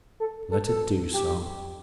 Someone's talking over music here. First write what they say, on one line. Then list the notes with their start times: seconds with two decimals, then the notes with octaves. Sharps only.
"Let it do so."
0.20 A4
0.51 A4
0.67 A4
1.13 G4